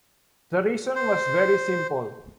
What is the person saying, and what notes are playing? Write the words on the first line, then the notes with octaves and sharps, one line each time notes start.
The reason was very simple.
C5